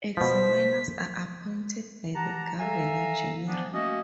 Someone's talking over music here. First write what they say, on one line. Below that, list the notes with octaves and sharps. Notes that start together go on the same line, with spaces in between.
Examiners are appointed by the Governor General.
B2 F3 C5 B6
G4 F#5 A5 A#5
A4 E5 F5 G#5 A#5
F3 B3 D4
A3 A#3 C#4 F#4 D#5